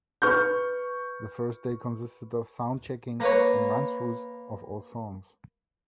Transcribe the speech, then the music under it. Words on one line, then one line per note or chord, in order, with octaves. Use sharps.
The first day consisted of sound checking and run-throughs of all songs.
B4 C#6 F6 G6
A#3 A#4 B4 C#5